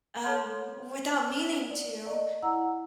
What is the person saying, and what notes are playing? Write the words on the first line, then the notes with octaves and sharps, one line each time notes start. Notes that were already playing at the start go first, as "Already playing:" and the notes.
uh, w without meaning to,
A4 C#5 A5 C6 F6 G6
D5
D5 D#5
E4 F#5 A#5 E6